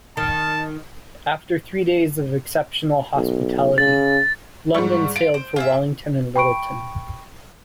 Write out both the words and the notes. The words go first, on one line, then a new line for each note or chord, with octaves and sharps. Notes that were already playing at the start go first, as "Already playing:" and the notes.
After three days of exceptional hospitality, "London" sailed for Wellington and Lyttleton.
D#3 A5
B1
C#3 A6
G#2 G3 C#6
F4 D7
C5
F4 G#4 E5
G5 B5 C#6 D7